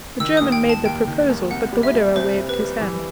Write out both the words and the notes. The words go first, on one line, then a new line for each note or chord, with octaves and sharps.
The German made the proposal, but the widower waved his hand.
D#3 E6
D#2 D#6
G5
D#2
A5
D#2 G5
D#3
D#2
C2 F#5
G3
E5
G3
C2 C5
G3
B4
G3
E3